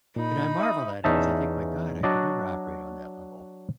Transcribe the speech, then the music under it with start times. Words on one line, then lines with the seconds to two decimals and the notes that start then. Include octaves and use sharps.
And I marvel at it, 'cause I think, "My God, I could never operate on that level,"
0.16 A#2 D#4 B5
0.60 E5 D#6
1.04 E2 C#4 D#4 E5 A5
2.03 F#3 D4 F#4 D5 D#5